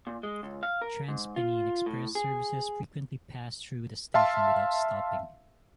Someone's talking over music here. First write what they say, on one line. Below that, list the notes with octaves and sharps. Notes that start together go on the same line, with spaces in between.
TransPennine Express services frequently pass through the station without stopping.
A#2
G#3
C#2
F5
A#4
G#2
F4
A2
G#4
E5 F5 A5 C6